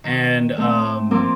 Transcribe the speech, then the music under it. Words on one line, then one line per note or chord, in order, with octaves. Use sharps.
and, um,
D#3
A3 C4
F3 A#3 C4 A#4 D6